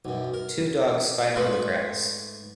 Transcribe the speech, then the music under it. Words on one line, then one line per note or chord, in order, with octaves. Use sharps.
Two dogs fight on the grass.
B1 F#2
A#4
G#2 A3 B4 B5 C6